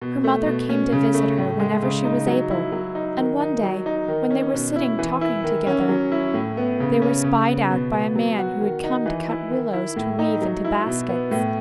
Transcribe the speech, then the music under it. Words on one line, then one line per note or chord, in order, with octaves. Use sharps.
Her mother came to visit her whenever she was able, and one day, when they were sitting talking together, they were spied out by a man who had come to cut willows to weave into baskets.
B2
A3
B2
C#4
C#3
A3
A2
G#3
C#3
D#4
F#3
E4
F#3
D#4
D#3
D#4
F#3
D#4
D#3
C#4
B2
E4
E3
E4
D#3
C#4
F#3
E4
A2
B3
C#3
C#4
C#3
B3
B2
B3
F#3
F#4
D#3
D#4
E3
E4
D#3
E4
A2
D#4
F#3
E4
B2
B3
A2